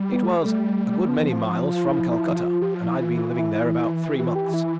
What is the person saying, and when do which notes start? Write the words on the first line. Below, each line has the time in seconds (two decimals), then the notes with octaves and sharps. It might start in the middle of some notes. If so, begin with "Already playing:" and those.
It was a good many miles from Calcutta, and I'd been living there about three months.
Already playing: G3
0.12 B3
0.23 A3
0.45 A3
1.08 F3 B3
1.15 E3
1.23 F3
1.33 C4
1.59 F4
1.85 E4
2.11 E4
2.36 F4
2.61 F3 G4
2.74 F4
2.85 E4
2.98 E3 F4
3.39 E4
4.16 G4
4.25 F4
4.35 G4
4.54 E4